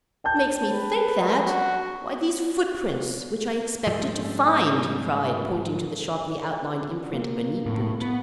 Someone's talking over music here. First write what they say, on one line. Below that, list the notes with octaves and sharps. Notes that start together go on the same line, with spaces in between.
"What makes me think that?--Why these footprints, which I expected to find!" he cried, pointing to the sharply outlined imprint of a neat boot.
G5 A5 G6
B4
F#4
G#2 F3 G3 A3
A#3
A2
B3